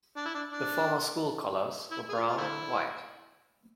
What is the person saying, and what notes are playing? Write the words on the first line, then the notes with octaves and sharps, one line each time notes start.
The former school colours were brown and white.
D4
E4
D4
D4
E4
G#4
F4
F4
A3 C4 E4